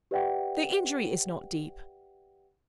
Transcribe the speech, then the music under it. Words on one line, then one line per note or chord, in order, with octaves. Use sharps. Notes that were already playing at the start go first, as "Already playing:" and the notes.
The injury is not deep.
G4 B4 D5 E5 F#5 G5